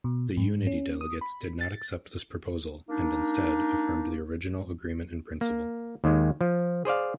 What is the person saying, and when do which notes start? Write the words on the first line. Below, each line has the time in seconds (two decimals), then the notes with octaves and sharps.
The Unity delegates did not accept this proposal and instead, affirmed the original agreement-in-principle.
0.04 B2
0.37 G#2
0.67 C#4
1.01 D#6
1.21 B5
1.61 A6
2.89 A#3 D4 D#4
5.41 A#3
6.04 D#2 D#3 G#3
6.41 F3
6.85 G#4 C5 D5 F5